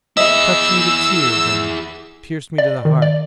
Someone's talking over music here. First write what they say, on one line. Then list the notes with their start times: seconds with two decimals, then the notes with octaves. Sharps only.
Touched me to tears and pierced me to the heart!
0.17 E4 G#4 D#5 E5 E6
2.58 D5
2.85 D#3
3.02 D5